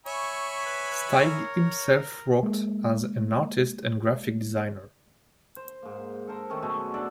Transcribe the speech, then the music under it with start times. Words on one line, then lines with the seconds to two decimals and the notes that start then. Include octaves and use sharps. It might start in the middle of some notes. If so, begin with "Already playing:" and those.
Steig himself worked as an artist and graphic designer.
0.06 C#5 E5 G#5 B5 C#6
0.66 B4
0.91 B4
1.24 A#4
2.43 G#3 A#3
5.56 C5
5.83 G#2 A#3
6.28 A4 A#4 C5 A#5
6.50 D#3 A3 C#4 A4
6.62 B2 F#3 G#3 A3
6.94 D4 A4 D5 E5